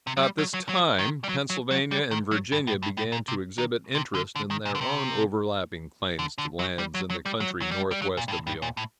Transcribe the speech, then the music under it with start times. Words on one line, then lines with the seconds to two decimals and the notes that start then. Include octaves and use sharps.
About this time, Pennsylvania and Virginia began to exhibit interest in their own overlapping claims to lands in the country northwest of the Ohio.
0.07 C3
0.17 F#3
0.23 G3
0.38 F#3
0.54 F#3
0.69 F#3
0.99 D#3
1.24 G3
1.29 F#3
1.50 F#3
1.71 F#3
1.91 G3
2.11 D#3
2.31 F#3
2.52 G2
2.67 A2
2.83 G2
2.97 A2
3.12 A#2
3.28 C3
3.58 D#3
3.95 C3
4.15 D3
4.36 D3
4.51 D#3
4.65 A#2
4.75 D3
4.81 C3
6.19 D3
6.38 D3
6.59 F#3
6.79 G3
6.94 F#3
7.10 F#3
7.26 G3
7.40 F#3
7.61 F#3
7.71 G3
7.91 G3
8.02 F#3
8.17 A#2
8.28 G2
8.32 A2
8.47 G2
8.62 A#2
8.77 A2